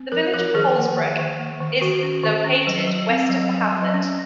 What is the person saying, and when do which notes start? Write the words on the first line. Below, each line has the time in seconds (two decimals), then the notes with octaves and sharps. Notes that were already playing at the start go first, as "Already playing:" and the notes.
The village of Polsbroek is located west of the hamlet.
Already playing: C4
0.12 F3 A#4
0.34 F3 A#4
0.54 D#3 G#4
0.76 A#3
0.96 D#3
1.18 D#3
1.39 A#3
1.61 D#3
1.81 D#3 F#4
2.03 C#4
2.24 D#3
2.45 C#4
2.67 F#3
2.87 F#3
3.09 C4
3.29 F#3
3.51 F#3
3.72 F#3
3.94 C#4